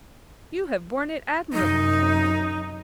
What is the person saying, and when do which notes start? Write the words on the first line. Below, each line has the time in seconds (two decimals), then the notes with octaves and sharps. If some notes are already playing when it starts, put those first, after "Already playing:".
You have borne it admirably, Katy.
1.53 F#2 C3 D#4